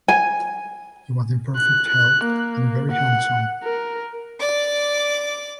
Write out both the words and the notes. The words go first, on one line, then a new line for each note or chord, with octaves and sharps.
He was in perfect health and very handsome.
G#5
F#6
F#6
A#3
F#5
A#4
D5 D6